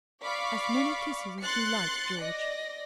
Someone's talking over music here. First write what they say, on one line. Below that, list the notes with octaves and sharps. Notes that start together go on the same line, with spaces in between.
"As many kisses as you like, George."
D5 F5 B5 C#6 D6
C6 F#6 A6 C#7
D5 D#5 A#6